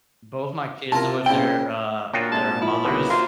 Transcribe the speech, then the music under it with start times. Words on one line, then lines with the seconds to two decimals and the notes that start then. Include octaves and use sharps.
Both my kids are with their, uh, their mothers,
0.92 C3 E4 F4 A#4 A5
1.26 A#2 C#3 E4 C5 G5
2.13 A#2 D4 F4 F#4 C#5 G5 D#6
2.32 C3 G#3 A5
2.61 F3 E4
2.85 B1 D3 D#3 B3 F#4
3.10 A#3 F4 F#4 A#4 C5 C6